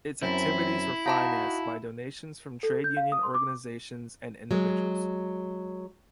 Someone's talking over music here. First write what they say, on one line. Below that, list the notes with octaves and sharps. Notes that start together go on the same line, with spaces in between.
Its activities were financed by donations from trade union organizations and individuals.
F#2 C4 E4
D#4 F#4 F5 A5 B5
A4
G6
F5
D#6
C6
D6
F#3 G#3